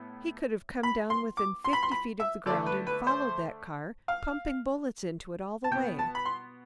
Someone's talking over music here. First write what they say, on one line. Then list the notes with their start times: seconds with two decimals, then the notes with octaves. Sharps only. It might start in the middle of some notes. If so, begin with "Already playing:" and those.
He could have come down within fifty feet of the ground and followed that car, pumping bullets into it all the way.
Already playing: A2 B3
0.83 B5
1.10 C6
1.37 D6
1.65 C6
1.73 B5
1.83 C6
1.91 B5
2.20 E5
2.46 D3 D5
2.50 A3
2.66 B4
2.87 B4
3.07 C5
4.08 F5
5.64 A5
5.71 B2 G5
5.76 B3
5.99 A5
6.15 B5
6.25 C6